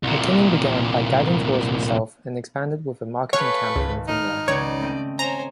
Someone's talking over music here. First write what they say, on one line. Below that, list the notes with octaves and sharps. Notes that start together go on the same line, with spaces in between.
McKinnon began by guiding tours himself and expanded with a marketing campaign from there.
C2 A#2
A3 B4 C#5 F5 G#5 C#6 F#6
G#1 C#2
D#4 F6
C#2 C#3 C#5 D5
A3 C4 D#5
C5 C#5 G#5 A#5